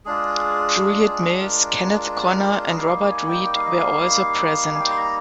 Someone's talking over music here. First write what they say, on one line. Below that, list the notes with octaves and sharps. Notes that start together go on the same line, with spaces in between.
Juliet Mills, Kenneth Connor and Robert Reed were also present.
G#3 D4 F4 G#4
G#4
A#4
D#5
G3 A#3 D#4 F5
G#5
G5
G5
F5
D#5
F5
G#5
G5
C6
A#5